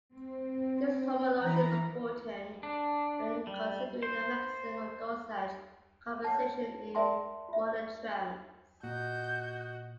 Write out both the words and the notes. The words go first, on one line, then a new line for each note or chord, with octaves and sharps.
This homology is important when considering the mechanism of dosage compensation in monotremes.
C4
E3 B4 A#5
D4
G3
C5
C#5 F#5 A5
A#4 D5 E5 G5 A5 C6
F4 E5
A#2 F#4 D#5 G6